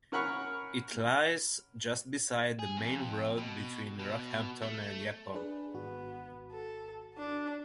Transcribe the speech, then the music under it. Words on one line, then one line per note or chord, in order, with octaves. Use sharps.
It lies just beside the main road between Rockhampton and Yeppoon.
C#4 A#4 F#5 B5 C#6 F6
G#4
F2
B2
B2
A3
D4 G#4 B4
G#1 B3 F#4
A4
D4 A5